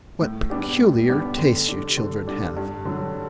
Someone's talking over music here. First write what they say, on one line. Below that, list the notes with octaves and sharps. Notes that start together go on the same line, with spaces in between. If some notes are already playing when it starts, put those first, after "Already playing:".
"What peculiar tastes you children have!"
A2
G3 B3 D4 G4
A2
G3 B3 D4 G4
D3
G3 D4
D3
G3 D4
G2
D3 F#3